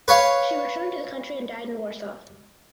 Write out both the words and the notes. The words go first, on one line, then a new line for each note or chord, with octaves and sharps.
She returned to the country and died in Warsaw.
B4 C#5 F5